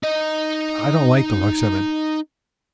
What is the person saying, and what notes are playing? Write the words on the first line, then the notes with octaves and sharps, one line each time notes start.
I don't like the looks of it.
D#4 D#5